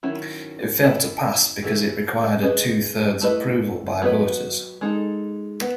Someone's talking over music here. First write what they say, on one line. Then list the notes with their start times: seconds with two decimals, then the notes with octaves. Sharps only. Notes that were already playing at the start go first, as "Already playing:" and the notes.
It failed to pass because it required a two-thirds approval by voters.
0.03 D#3 F#3 C#4 E4
0.83 C#4 E4 A4 D#5
1.63 E3 A3 E4 G#4
2.43 C#4 G#4 B4 D#5
3.21 A3 E4 B4 D#5
4.02 F#3 B3 F#4 B4 D#5
4.81 G#3 D#4 A4
5.61 B3